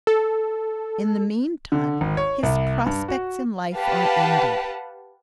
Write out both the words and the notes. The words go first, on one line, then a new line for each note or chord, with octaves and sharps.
In the meantime his prospects in life are ended.
A4
D3
G#1
C#5
C2
G2
F#4
G4 B4 F5 F#5 A5